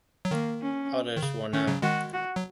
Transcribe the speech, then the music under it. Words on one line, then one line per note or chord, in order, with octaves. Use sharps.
Others were not.
F#3
D#3 A#3
C#4
D#3
C#3
D#3 C#4
C#3 F#3
D#3 G#3 F#4
F#4
F#3